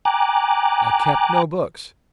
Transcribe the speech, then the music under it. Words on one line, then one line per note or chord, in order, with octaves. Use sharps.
I kept no books.
G5 G#5 A#5 D6 F#6